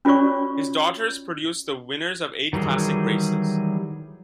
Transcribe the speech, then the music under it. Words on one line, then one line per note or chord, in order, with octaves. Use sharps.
His daughters produced the winners of eight classic races.
C#4 F4 F#4 C#5 D5 C#6
D#3 E3 F#3 G3 G#4